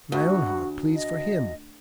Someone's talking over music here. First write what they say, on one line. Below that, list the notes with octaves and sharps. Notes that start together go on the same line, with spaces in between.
My own heart pleads for him.
D2 F#4
D#5